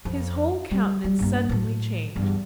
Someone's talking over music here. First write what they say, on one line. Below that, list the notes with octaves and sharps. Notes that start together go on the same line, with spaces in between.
His whole countenance suddenly changed.
F2
G3
G3
G2 A#3
A2 F#3
E2 G2